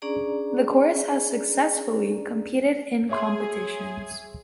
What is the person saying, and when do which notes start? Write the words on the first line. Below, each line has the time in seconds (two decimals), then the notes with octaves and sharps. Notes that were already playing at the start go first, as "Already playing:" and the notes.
The chorus has successfully competed in competitions.
0.02 C#4 D4 G#4 D5 A#5
3.09 G#4 C#5 E5 C6